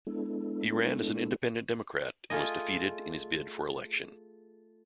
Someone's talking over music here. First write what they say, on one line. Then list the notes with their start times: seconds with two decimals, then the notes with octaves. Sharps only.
He ran as an Independent Democrat and was defeated in his bid for election.
0.07 G#3 B3 D4 E4 A4
2.30 A3 F4 G#4 D#5